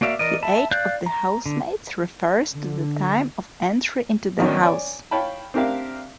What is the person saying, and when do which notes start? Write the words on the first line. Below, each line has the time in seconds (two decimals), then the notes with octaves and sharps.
The age of the housemates refers to the time of entry into the house.
0.01 A#3 F#4 D5 E5 F5
0.19 E3 A#4 D5 D#5
0.42 E5 A5 B5
0.71 D5 F5 F#6 G6
1.06 A#5
1.46 D3
2.54 D3
4.39 D#3 F#3 B3 C#4 D4
4.62 C#5 D5 G#5
5.11 C#5 F5 G5 A5 B5
5.54 C4 D4 G4 A#4 E5 F5